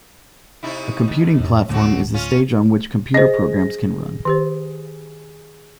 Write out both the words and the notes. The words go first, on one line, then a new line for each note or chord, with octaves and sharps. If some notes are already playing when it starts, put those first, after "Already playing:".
A computing platform is the stage on which computer programs can run.
C3 D#4 E4
D#2
F2 A2
D2 A2 C#3 A3 C4 F#4
C#4 F4
G#4 C5 D#5 A#6
D#3 G4 C5